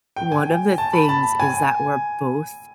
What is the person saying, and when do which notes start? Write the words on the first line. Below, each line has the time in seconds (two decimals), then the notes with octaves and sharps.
one of the things is that we're both
0.16 G5
0.32 G#5
0.78 A5
0.93 B5
1.09 A5
1.40 G#5